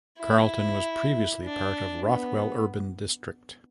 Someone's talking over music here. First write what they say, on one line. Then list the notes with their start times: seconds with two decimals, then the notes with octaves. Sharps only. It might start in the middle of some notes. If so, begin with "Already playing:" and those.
Carlton was previously part of Rothwell Urban District.
0.19 E4
1.44 D4
2.06 B3